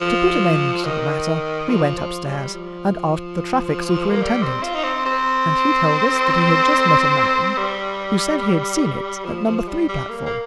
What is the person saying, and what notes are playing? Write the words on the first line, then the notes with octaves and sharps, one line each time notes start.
To put an end to the matter, we went upstairs, and asked the traffic superintendent, and he told us that he had just met a man, who said he had seen it at number three platform.
F3
D#3
F3
F3
G3
F3
A#3
G3
C4
F4
D#4
C4
C4
G3
F3
F3
G3
G3
A#3
A#3